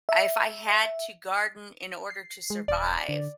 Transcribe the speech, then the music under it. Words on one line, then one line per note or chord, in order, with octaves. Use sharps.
I if I had to garden in order to survive,
E5
C7
G#3
D#1 D5
D3